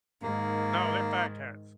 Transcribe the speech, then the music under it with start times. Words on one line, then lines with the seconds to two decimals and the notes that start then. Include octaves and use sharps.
No, they're fat cats.
0.22 G#2 D#3 A#3